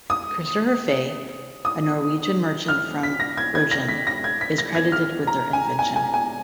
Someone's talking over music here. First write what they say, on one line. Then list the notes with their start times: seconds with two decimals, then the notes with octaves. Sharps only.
Christopher Faye, a Norwegian merchant from Bergen, is credited with their invention.
0.10 D#6
1.65 D#6
2.68 F6
3.03 B6
3.20 A#6
3.37 G#6
3.55 G#6
3.71 A#6
3.88 B6
4.07 A#6
4.24 G#6
4.41 B6
4.58 A#6
4.75 G#6
4.92 F6
5.27 A#5
5.53 G#5
5.79 G#5
5.96 G#5
6.14 G#5